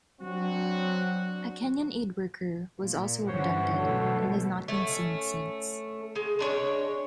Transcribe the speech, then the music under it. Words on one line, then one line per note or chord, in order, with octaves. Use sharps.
A Kenyan aide worker was also abducted, and has not been seen since.
F#3 C4 D4 F#4
A#2
G2 D3 E3 C#4 C5 C#5 F#5
B2 F#3 A3 A4
A3 C#4
G#3
G#3 D4 C#5